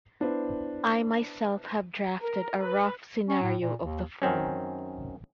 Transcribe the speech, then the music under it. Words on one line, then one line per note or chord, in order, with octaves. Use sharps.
I myself have drafted a rough scenario of the form.
B3 D4 E4 B4 C5
A#4
B4
C#4
A2
A#2
D#2
F#2 D#3 C4 C#4